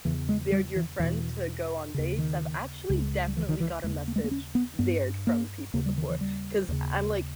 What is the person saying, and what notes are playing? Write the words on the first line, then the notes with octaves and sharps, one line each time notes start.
dared your friend to go on dates, I've actually definitely got a message dared from people before. 'Cause I I'm like,
E2 C#3 E3
G#3
G3
E3
E2 B2 E3
D#2 C#3
D#3
C#2 C#3
G3
E3
D#3
E3
D#2 C#3 G#3
A#3
G#3
A#3
C#4
B3
G2 B3
A#3
D#2 C#3 A#3
G3
D#3
E3
G3
D#2 C#3